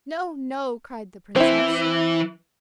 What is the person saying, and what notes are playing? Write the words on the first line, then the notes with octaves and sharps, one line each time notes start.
"No, no," cried the princess.
E3 C4 E4